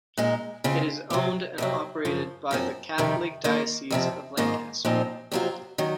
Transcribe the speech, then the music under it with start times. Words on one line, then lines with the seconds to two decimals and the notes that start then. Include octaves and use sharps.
It is owned and operated by the Catholic Diocese of Lancaster.
0.17 A#2 G#3 D#4
0.64 C#3 G#3 C4 F4
1.10 C3 F#3 C4
1.58 F2 C3 F#3
2.05 F#2 C#3 F3
2.51 F#2 F3 C4
2.98 F2 C3 D#3
3.44 D#3 A#3 F4
3.91 F2 C3 F3 C4
4.37 G#2 D#3 A#3 F4
4.85 A#2 F3 C4 D#4
5.32 F2 C3 F#3 C4 F4
5.78 D#3 F#3